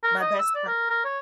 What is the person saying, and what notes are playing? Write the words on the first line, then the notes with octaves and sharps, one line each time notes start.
My best friend
A#4
D#5
E6
D5
A#4
A#4
C#5